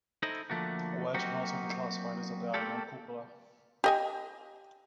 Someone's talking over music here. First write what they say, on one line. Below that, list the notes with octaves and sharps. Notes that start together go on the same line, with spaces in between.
A wedge can also be classified as a digonal cupola.
D#4 E4 A4 C5 D#5
D3 F3 A3 A#3 F#4
F#3 A#3 C4 D#4 F#4 G4
A3 A#3 C4 G4 A4
G4 D#5 G#5